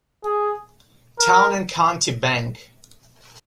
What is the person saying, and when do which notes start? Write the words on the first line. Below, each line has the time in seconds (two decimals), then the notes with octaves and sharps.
Town and County Bank!
0.24 G#4
1.19 A#4